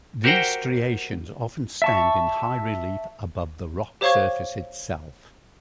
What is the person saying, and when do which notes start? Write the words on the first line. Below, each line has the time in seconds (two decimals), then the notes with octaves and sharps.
These striations often stand in high relief above the rock surface itself.
0.24 F#4 G4 A#4 C5 F#5 G5
1.82 E5 A5 C#6
4.01 G4 C5 C#5 F5 C#6 G#6